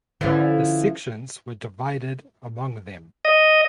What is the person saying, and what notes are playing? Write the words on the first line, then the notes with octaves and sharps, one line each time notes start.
The sections were divided among them.
D3 E3 F3 C#4
D#5